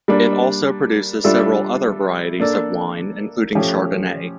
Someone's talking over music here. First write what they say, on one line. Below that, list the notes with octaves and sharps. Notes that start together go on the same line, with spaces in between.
It also produces several other varieties of wine, including Chardonnay.
G3 A#3 D4
G3 D4 F4 A4 E5
A#3 D4 A4 D5
F3 A3 C#4 G4